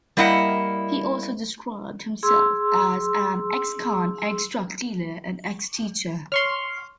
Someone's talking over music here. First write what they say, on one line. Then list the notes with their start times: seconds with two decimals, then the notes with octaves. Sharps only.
He also described himself as an "ex-con, ex-drug dealer and ex-teacher".
0.17 G3 A#3 E4 D#5 F#5
2.23 G#4 C6 E6
6.32 C#5 C6 C#6 F6